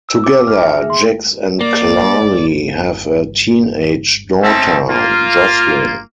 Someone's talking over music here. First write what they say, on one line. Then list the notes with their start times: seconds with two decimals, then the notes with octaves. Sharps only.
Together, Jax and Carly have a teenage daughter, Josslyn.
0.09 E6
0.24 D6
0.48 F6
0.62 E5
0.78 G#4
0.90 C6
1.61 A#3 D5
4.42 C4 C#4 D#4 E5 A5
4.89 A#3 F4